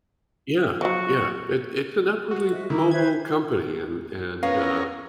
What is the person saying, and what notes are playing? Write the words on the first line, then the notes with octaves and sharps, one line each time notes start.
Yeah, yeah, it it's an upwardly mobile company, and and, uh,
F3 F#3 F#4 C#6
F#4
C5 D#5 E5
D#3 E4 A#5 C#6 D6
B4 C5 E5 G#6
B3 C#4 A#4 F5